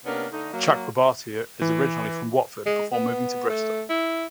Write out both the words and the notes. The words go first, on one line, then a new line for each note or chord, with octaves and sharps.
Chakrabarti is originally from Watford before moving to Bristol.
C3 A#3 B3 C#4 D4
D3 A3 D#4
F#3 A#3
E3
G#3
B3
A3
E4